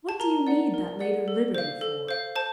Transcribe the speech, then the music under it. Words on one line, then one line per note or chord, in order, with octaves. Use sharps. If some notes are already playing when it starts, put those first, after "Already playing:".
What do you need that later liberty for?
A5
A#4 A#5
D5 F#5
A#4
D5 F#5
A4
C5 F5
A4
C5 F5
C5 A5